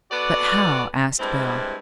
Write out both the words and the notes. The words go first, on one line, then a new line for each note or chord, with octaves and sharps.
"But how?" asked Bell.
B3 F#4 A4 D5
G2 G3 G#3 C4 E4